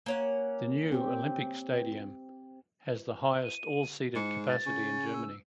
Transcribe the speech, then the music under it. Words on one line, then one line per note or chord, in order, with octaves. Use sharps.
The new Olympic Stadium has the highest all-seated capacity in Germany.
A#3 C#4 F#5
C4 G4
D#7
G#2 C#7
A6
C#3
E6